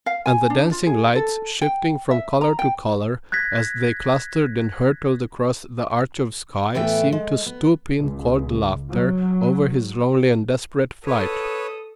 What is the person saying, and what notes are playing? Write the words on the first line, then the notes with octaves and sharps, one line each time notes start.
And the dancing lights, shifting from color to color as they clustered and hurtled across the arch of sky, seemed to stoop in cold laughter over his lonely and desperate flight.
F5
G#5
D4
F4
G#4
A4
G5
E5
A#5
G5
F#6 G#6 A#6 B6
A2 E3 A3 B3 E5 G5
G#3
B3
C#2
F#3
A4 B4 C#5 D#6